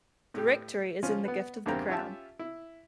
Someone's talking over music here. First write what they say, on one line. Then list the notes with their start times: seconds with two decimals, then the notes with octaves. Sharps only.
The rectory is in the gift of the crown.
0.34 A2 G4
1.03 F3 C#4 F4
1.25 B3 B4
1.66 E2 G2 A#3 C4 G4 A#5
1.89 C#4 F4 G4 E5 A5
2.39 E4